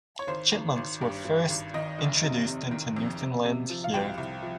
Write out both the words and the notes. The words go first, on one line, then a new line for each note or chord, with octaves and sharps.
Chipmunks were first introduced into Newfoundland here.
C#5
G#1 C5
G#1
G#1
G2
G2
G#1
D#3 D#5
F1
C3
C3
D#3
F2
C3
C3
F3
F5
C2 G5
C2
F3